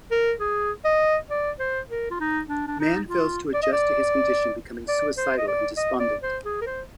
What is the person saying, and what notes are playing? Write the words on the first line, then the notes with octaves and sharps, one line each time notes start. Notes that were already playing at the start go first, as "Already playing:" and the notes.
Mann fails to adjust to his condition, becoming suicidal and despondent.
A#4
G#4
D#5
D5
C5
A#4
F4
D#4
D4
D4
D#4
F4
D5
D#5
D5
D5
C5
D#5
D5
D#5
D5
C5
G#4
A#4
C5